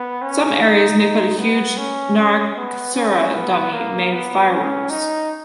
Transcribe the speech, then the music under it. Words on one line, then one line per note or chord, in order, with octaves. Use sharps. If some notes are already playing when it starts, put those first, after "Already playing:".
Some areas may put a huge Narakasura dummy made with fireworks.
Already playing: B3
C#4
D#4
D#4
B3
C#4
C#4
B3
C#4
B3
A#3
B3
C#4
D#4